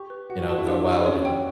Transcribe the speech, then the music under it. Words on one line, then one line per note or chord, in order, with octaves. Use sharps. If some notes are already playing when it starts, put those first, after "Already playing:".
you know, go out and
Already playing: G4 C#6
B4
F#4 F#5
F#4 A5
E4
D4 G4
G4
C#4 C#5
G5